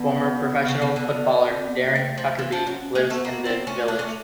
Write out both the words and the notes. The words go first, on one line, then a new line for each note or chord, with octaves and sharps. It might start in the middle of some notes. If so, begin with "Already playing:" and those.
Former professional footballer Darren Huckerby lives in the village.
Already playing: D3 B3
C#3
C#3
D3
B3
C4
C4
B3
A#3
D#3 A3
F3
E3 B3
F3 C#4
F#3 C#4
C#4
G#3 A#3
A3 B3
A#3
C4
A3 C#4
D4
C#4